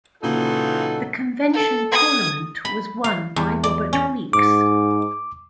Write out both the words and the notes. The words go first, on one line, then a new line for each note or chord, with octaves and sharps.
The convention tournament was won by Robert Weeks.
A#2 C#3 E3 F#3 D#4 F4 A4
A4
D#6 G#6
B5
F5
E2
D5
C#4
G#2 D6